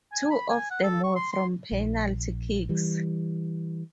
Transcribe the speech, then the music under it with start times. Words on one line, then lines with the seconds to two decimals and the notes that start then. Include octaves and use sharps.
Two of them were from penalty kicks.
0.12 G#5
0.31 B5
0.50 G#5
0.71 F#5
0.83 A4
1.04 C#6
1.16 C6
1.32 C6
1.72 A#1
2.69 E3 G3